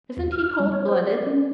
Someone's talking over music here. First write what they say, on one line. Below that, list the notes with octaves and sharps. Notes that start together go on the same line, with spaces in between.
Isn't he cold-blooded?
E2
F6
G3
C#5
C5
D5
C#4